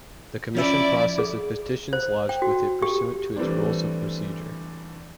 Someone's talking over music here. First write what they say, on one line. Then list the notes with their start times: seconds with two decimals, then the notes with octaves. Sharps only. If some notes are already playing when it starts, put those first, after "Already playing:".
The Commission processes petitions lodged with it pursuant to its Rules of Procedure.
0.55 F3 C#4 E4 D5 E5
1.18 G#4
1.93 C5
2.29 G5
2.42 F#4
2.82 G4
3.36 E3 G3 A3 C4 D4